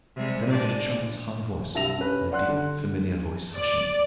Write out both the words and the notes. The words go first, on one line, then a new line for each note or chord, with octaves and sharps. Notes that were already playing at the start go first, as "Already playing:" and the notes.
Then I heard a child's high voice, and a deep familiar voice hushing it.
C3 G3 G#3
G#3 D4 D5
C2 G2 E5 A#6 F7
C#4 B4
D5 F#5 C6 F#6
D3
D5